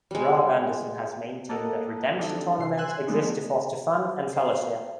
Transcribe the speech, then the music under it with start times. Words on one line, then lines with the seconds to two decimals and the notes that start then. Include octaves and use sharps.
Rob Anderson has maintained that Redemption Tournaments exist to foster fun and fellowship.
0.11 G3 G#3
1.49 A#3 A4 D#5 F#5
2.17 E3 G3 C4 D4 D#4 A4
2.59 C3 C7
2.78 G#5 C6 E6 F#6
3.07 F3 G#3 A3 B3 D4 D#4
4.33 C5